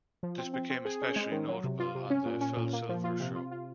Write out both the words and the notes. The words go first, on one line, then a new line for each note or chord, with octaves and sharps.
This became especially notable on "The Phil Silvers Show".
F3
C4
C4
C4
G#4
C#4
G#3
D#3
F#3
C3
F4
C3
C#4
A#2
C#4
A#2
A#3
F3
F4
C3
F4
F4